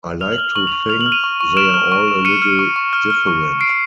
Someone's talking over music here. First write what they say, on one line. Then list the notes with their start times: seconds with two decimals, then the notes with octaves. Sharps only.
I like to think they're all a little different.
0.21 F6 F7
0.32 F#7
0.38 F6
0.44 F7
0.55 C#6 F#7
0.67 F7
0.72 C#6
0.78 F#7
0.89 F6 F7
1.01 F#7
1.06 F6
1.12 D#7 F7
1.24 C#6
1.41 C#6
1.57 F6 D7 E7
1.74 F6
1.92 C#6
2.08 C#6
2.25 F6 C#7 D#7
2.42 F6
2.59 C#6
2.76 C#6
2.93 F6
3.10 F6
3.27 C#6
3.44 C#6
3.60 F6 C7 D7